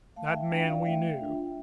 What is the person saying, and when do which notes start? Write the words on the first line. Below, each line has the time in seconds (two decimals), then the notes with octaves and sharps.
That man we knew.
0.16 A3 F5 A5
0.34 E5 G5
0.51 D4 F4 E5 G5
0.68 D5 F5
0.86 A3 E5 G5
1.21 D4 F4